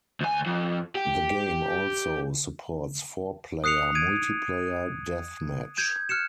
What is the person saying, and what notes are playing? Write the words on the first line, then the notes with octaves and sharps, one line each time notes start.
The game also supports four-player multiplayer deathmatch.
D2 G#5
F2
G4
D#6 F#6 C7 C#7 F7
G#6 D7 D#7
G6 G#6
F6 F#6 C#7 E7